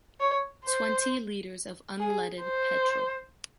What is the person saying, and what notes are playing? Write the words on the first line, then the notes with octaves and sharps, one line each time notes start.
Twenty liters of unleaded petrol.
C#5
C5
G#4
C5